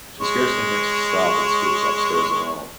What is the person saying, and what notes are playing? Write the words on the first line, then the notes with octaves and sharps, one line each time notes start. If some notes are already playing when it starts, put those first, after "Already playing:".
She scarcely makes a stop, and sweeps upstairs alone.
G#3 C#5